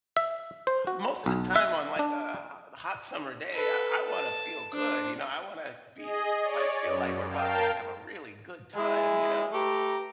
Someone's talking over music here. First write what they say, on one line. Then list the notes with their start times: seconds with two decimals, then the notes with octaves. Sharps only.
ah, most of the time on, like, uh, uh, a hot summer day, I wanna feel good, you know, I wanna be like feel like we're about to have a really good time, you know,
0.17 E5
0.67 C5
0.87 F#4
1.26 B1
1.56 E5
1.99 D4
3.54 A4 B4
4.07 A5
4.73 D4 C5
5.97 G#4 D#5
6.38 C#5 D5
6.84 F#2
7.26 A#4 F5 G5 A5
8.76 G#3 E4 G#4
9.53 A3 G4 B4 A#5